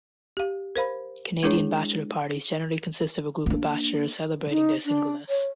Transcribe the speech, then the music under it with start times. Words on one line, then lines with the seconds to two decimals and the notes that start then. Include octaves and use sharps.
Canadian bachelor parties generally consist of a group of bachelors celebrating their singleness.
0.37 G4 F5
0.76 A#4 C5 F5 B5
1.43 G#3 D4 E4 G#4 C#5
3.46 A#3 D4
4.50 D#4
4.86 D4
5.29 C#5